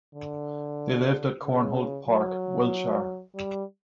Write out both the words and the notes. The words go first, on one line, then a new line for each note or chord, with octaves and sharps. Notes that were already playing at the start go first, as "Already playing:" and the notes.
They lived at Conholt Park, Wiltshire.
D3
C#3
F#3
G3